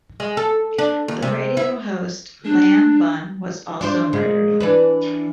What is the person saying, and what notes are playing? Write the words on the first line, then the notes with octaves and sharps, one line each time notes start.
The radio host Lam Bun was also murdered.
G#3
A4
D4
D#2
C3
E4
D4
D4 F4 C5
A#2 G#3
E3 D4 B4